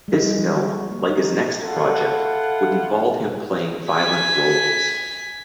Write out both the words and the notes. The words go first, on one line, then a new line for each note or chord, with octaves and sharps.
This film, like his next project, would involve him playing violent roles.
G#3
G3
F3
F#4
A#3
D#4
E4 F4 A4 F#5
G#5 B6